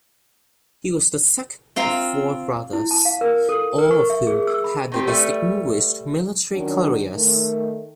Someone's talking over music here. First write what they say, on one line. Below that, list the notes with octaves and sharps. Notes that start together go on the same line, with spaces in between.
He was the second of four brothers, all of whom had distinguished military careers.
C4 F4 F5 A#5
E4
A5
F5
A#4
A4
A#4
C#6
E5
G#4
E6
B5
D#3 C4 G4
G3 A3 B4
D#3 F#3 C#4 D4
D#3 A3